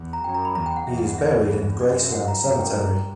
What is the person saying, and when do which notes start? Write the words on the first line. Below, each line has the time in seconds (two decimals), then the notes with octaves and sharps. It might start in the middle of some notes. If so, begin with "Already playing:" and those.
He is buried in Graceland Cemetery.
Already playing: E2
0.13 A#5
0.24 F#2 G5
0.35 A#5
0.45 B5
0.55 E2 A#5
0.66 G5
0.76 F#5
0.87 E2 E5
0.97 F#5
1.08 F#5
1.18 E5
1.28 D5
1.39 C#5
1.81 F#2 D5
2.05 E5
2.12 F#5
2.28 A#5
2.43 F#2 A#5
2.59 G5
2.75 G2 A#5